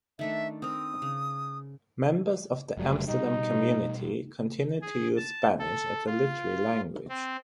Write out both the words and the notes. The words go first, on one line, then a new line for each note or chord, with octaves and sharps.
Members of the Amsterdam community continued to use Spanish as a literary language.
D#3 A3 D4 E5
C4 A#4 D#6
C#3
F1 F#3 G3 A3
B2 G3 D#4
G#4
A5
A4
F4
C4